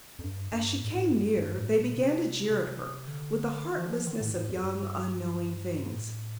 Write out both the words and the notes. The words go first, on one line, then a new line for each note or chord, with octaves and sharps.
As she came near they began to jeer at her, with the heartlessness of young, unknowing things.
F2
G2
G2
A2
A2
G2
G2
A2
A#2
C3
C3
D3
D#3
F3
F3
D#3
A2
A2
F2
G2
A2